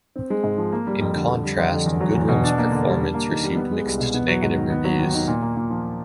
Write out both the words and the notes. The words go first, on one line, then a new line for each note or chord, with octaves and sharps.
In contrast, Goodrem's performance received mixed to negative reviews.
C4
G#3
G#2
F3
A#3
G3
F2
D3
F2
G3
F2
D3
E2
F#3
E2
B2
D4
A#3
D3
G3
D4
A#3
D#3
G3
B3
G#3
C2
B2
B3
F#3
G#2
D#3
B3
F#3
D#2
D#3
A#2
A#3
A#2
F3